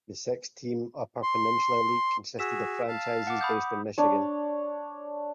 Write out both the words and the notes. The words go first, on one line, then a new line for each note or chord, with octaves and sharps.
The six–team Upper Peninsula League consisted of franchises based in Michigan.
C6
F#4 G#4 E6 B6 E7
F5 A5
F#5 D6
B5 D#6 G6
D4 C#5